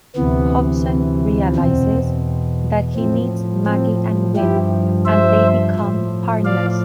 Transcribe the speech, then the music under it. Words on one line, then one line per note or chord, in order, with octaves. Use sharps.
Hobson realizes that he needs Maggie and Will, and they become partners.
D2 C3 E3 B3
E2 B2 C4
A2 F3 C4
C4
G2 F3 E4 G4
C5 E5
A2 F3
D5 F5